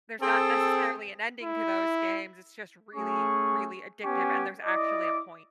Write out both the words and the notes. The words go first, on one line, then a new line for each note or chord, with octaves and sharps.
there's not necessarily an ending to those games, it's just really, really addictive, and there's actually a point.
C4 G#4 A4
E4
A3 C#4 G#4 C#6
B3 C#4 G4 G#5 C#6
E4 D5 D#5 D6 D#6